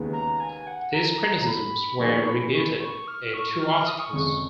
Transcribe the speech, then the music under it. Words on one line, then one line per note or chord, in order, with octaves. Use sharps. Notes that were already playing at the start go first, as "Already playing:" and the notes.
These criticisms were rebutted in two articles.
Already playing: D#2 C#3 G#3 B3 D#4
A#5
G#5
F#5
A#5
B5
A#2 F3 B3 D#4 G#4 C#6
B5
C#6
B5
C#6
F6
C#6
F6
F6
D#6
C#6
F1 F2 C#3 G#3 C#6